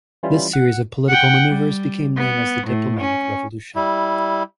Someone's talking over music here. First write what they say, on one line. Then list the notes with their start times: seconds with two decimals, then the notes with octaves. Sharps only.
This series of political maneuvers became known as the Diplomatic Revolution.
0.23 E3 G3 C#4 E4 F4
0.53 F#5
1.08 F#5 G5
1.49 G3
2.16 B3
2.68 A2
3.01 C#4
3.75 G3 E4